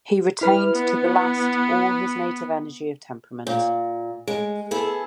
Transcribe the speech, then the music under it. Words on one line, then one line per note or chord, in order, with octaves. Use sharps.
He retained to the last all his native energy of temperament.
E4 B4 F6
B3
A#2
G#3
B3 E4 G#4 A4